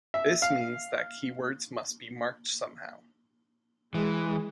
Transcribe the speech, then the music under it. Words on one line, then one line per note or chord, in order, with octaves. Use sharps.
This means that keywords must be marked somehow.
E5
F5
E3 G#3